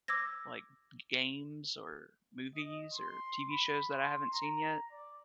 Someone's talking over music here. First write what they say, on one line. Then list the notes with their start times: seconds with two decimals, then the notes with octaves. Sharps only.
Like, g games, or movies, or TV shows that I haven't seen yet.
0.08 D6 E6 G#6 A#6
2.56 D#5
2.94 C6
3.50 B5
3.90 C6
4.32 A#5
4.91 D5